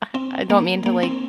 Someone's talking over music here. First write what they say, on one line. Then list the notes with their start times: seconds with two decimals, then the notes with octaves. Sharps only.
I I don't mean to, like,
0.15 C4
0.50 A#3
0.86 A#3
1.03 C4